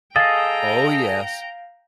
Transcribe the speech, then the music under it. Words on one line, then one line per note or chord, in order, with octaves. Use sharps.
Oh yes.
G#4 A4 D#5 F5 G5 A#5 A6 C7